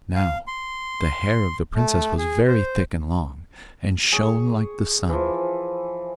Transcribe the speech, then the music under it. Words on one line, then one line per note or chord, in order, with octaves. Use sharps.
Now the hair of the princess was very thick and long, and shone like the sun.
F5
C6
A3
G#4
C5
G#4 C#5
E3 F3